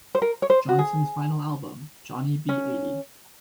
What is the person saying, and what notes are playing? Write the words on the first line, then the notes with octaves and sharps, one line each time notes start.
Johnson's final album, Johnnie Be Eighty.
C5
A#4
C#5
C5
F#4
G#4
C#4